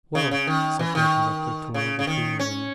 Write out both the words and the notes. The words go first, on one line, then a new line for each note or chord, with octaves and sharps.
'Well,' said my conductor to one of the three young women.
C#3
C#3
D#3
E3
D#3
C#3
C#3
D#3
C#4